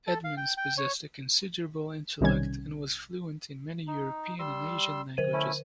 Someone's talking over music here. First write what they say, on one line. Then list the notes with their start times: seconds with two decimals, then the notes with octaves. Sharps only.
Edmonds possessed a considerable intellect and was fluent in many European and Asian languages.
0.07 A4
0.24 F5
0.37 G5
0.57 G5
0.78 C#5
2.21 B1 C3 D#3 G3 C#4 G#6
3.87 D#4
4.39 G3 C6 E6
5.17 D3 C5 D#7
5.33 A3 C#4 E4